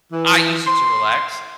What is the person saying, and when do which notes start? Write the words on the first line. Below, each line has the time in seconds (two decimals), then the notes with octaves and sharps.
I use it to relax.
0.13 E3
0.67 C6